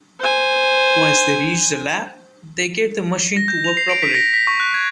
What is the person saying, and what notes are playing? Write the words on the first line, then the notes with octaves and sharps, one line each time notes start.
Once they reach the lab, they get the machine to work properly.
C5 G#5
A#6
G6
F7
C7
D7
B6
A#6
B6
C#6
F#6
G#6